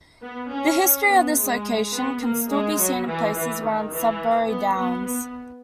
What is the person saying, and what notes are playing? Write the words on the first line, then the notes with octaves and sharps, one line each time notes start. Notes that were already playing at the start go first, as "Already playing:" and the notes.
The history of this location can still be seen in places around Sudbury Downs.
B3
C#4
B3
G#3
B3
A#3
G#3
F#3
E3
E3
D#3
E3
B3
B3
B3